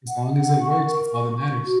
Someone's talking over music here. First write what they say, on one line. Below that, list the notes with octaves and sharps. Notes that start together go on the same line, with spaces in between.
As long as it works, that's all that matters.
F#5
F#5
C#6
A#4
C#6
C#6
F#4